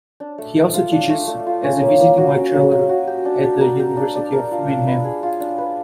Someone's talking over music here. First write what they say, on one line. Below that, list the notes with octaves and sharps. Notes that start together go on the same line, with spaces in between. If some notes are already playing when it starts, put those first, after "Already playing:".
He also teaches as a visiting lecturer at the University of Mannheim.
D4
A3
A3
F4
D4
A3
A3
F4
C#4
A#3
A#3
F#4
C#4
A#3
A#3
F#4
G4
D4
D4
A#4
G4
D4
D4
A#4
F4
D4
B4
G#4
F4
D4
B4